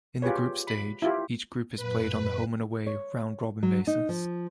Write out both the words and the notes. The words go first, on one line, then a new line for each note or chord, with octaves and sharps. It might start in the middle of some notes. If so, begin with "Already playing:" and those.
In the group stage, each group is played on a home-and-away round-robin basis.
F4 G4 G#4 B4 C#5
B5
E4 F4 G4
F#2 A#2 B4
C#5
F#3
D#4
F3